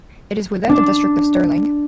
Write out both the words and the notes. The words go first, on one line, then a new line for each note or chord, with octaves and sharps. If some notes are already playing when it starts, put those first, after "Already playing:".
It is within the district of Stirling.
D4